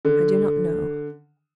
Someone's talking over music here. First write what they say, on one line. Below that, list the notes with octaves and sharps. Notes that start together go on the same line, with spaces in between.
I do not know.
D3